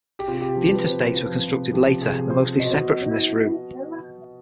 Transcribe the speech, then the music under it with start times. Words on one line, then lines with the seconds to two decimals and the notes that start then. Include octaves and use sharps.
The Interstates were constructed later and are mostly separate from this route.
0.19 G4
0.28 C3 F4
0.41 G4
0.56 F3
0.71 B4
0.85 C3 C5
1.14 F3
1.44 C3
1.73 F3 G4
2.01 C3 G#4
2.30 F3 C5
2.59 B2 D#5